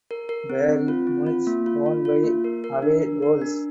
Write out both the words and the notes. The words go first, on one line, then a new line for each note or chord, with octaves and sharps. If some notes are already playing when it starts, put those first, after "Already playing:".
Bayern Munich won by away goals.
A#4
A#4
C4
C4
F4
C4
F4
A#3
F4
F4
F4
A#3
A#4
A#4
D4
A#4
A#4
D4